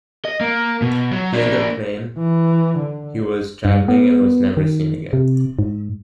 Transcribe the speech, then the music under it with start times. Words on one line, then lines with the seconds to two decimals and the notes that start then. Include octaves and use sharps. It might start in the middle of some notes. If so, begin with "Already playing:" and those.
He and the plane he was travelling in was never seen again.
0.25 D#5
0.41 A#3
0.82 B2
1.12 F#3
1.34 A#3 D4
2.19 E3
2.78 D3
3.65 G2
3.88 B3
4.57 D#3
5.13 C3
5.59 G#2